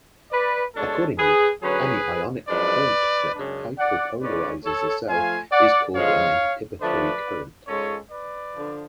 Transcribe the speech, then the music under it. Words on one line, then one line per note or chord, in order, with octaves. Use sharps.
Accordingly, any ionic current that hyperpolarizes a cell is called an inhibitory current.
B4 D5
B2 G#3 D4 F4 A4 C#5
G#4 B4
D3 F#3 C#4 G#4 B4
F#2 F3 G#3 D4 B4 D5
F#2 C#3 G#3 D4
D5 F#5
G#2 G#3 C#4 F4 B4 D5
A4 C#5
F3 A3 F4 F5 G#5
D5 F#5
D3 F3 G#3 C#5 F5
D3 F3 A3 D4 B4 D5
G#2 G#3 C#4 F4 A4 C#5
B4 D5
D3 F3